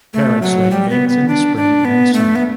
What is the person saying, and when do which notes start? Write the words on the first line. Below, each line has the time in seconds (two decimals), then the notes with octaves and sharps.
Parents lay eggs in the spring and summer.
0.14 A3
0.42 F#3
0.71 G3
0.90 B3
1.09 B3
1.28 D4
1.56 D4
1.85 B3
2.14 A3
2.35 B3